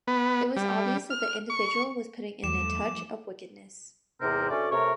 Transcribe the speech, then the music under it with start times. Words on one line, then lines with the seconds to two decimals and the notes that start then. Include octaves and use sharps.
It was obvious that the individual was putting in a touch of wickedness...
0.07 B3
0.56 G3
1.10 F6
1.50 C#6
2.44 E2 G2 F3 A3 D6 E7
4.21 E2 G#2 C3 C4 A#4
4.49 D2 A3 C#4 D5
4.71 C3 A3 A#4 C#5